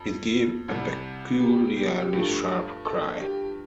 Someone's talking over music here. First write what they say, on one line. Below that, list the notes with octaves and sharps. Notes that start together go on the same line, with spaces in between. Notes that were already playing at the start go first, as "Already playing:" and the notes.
It gave a peculiarly sharp cry.
Already playing: F2
C2 C3 G3
G4
G4
G4
G2 F3 A3 G4
A4
G4